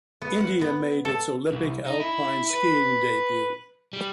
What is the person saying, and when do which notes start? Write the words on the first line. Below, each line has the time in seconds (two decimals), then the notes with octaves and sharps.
India made its Olympic alpine skiing debut.
0.22 B3
0.40 F#5
0.61 B3
1.05 A4
1.52 C2
1.86 D#4
2.00 E4
2.50 B4
3.93 G3